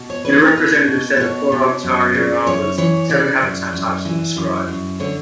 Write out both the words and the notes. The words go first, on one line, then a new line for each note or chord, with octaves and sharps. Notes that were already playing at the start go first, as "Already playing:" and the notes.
In a representative set of four Ontario alvars, seven habitat types were described.
Already playing: B2
C#5
E2 B4
A#4
B2 B4
B2
B4
B2 C#5
B2
F#2
C#3
F#2 C#5
E3 C#5
C#3 D5
F#2
F#2
E3
F#2
F#2
D3 C#5